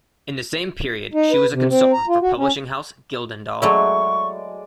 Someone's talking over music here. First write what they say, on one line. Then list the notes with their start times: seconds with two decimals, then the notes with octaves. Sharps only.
In the same period she was a consultant for publishing house Gyldendal.
1.14 D#4
1.32 B4
1.51 C3
1.69 C4
1.93 A#5
2.08 F4
2.22 F#4
2.37 C#4
3.62 F#3 G#3 A3 E4 D5 C#6